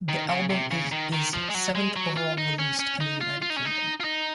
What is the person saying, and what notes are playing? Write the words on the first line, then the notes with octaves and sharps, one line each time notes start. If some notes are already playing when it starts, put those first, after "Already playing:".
The album is his seventh overall released in the United Kingdom.
D#3
C#3
C3
C#3
D#3
D#3
F3
G#3
F#3
G#3
F#3
F4
D#4
C#4
C#4
D#4
F4
F4
D#4
C#4
D#4
F4
D#4